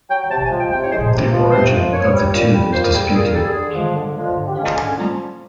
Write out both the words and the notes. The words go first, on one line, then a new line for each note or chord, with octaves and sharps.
The origin of the tune is disputed.
F#3 G5
C3 A5
G#5
F3 G#3
G5
C3 G5
C#5
F3 G#3 C5
C3
F3 G#3
C3 C5
F3 G#3
A#2 C#5
G3
A#2
G3
A#2 C5
A#4
G3 G#4
A4
A#2 G#4
A#4
G3 A4
G#4
D3
F3 G#3
D3
F3 G#3
D3
G4
F3 G#3 C#4
C#4
D3
F3